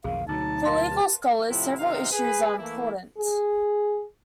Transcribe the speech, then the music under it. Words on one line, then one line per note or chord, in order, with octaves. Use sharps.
For legal scholars, several issues are important.
B1 F2 D#3 G#4 F5
D2 B2 F#3 D#4 A5
A#4 F5 C6
G4 B4
A2 C3 F3 E4
F#2 C3 D#3 D#4 F5
G#4 B4
E3 A3 A#3 E4
G#4